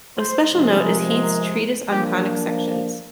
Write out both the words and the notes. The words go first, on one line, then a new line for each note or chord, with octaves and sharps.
Of special note is Heath's "Treatise on Conic Sections".
C5
C3 F3 G#3
A#4
A#4
F3 A#3 D4 G4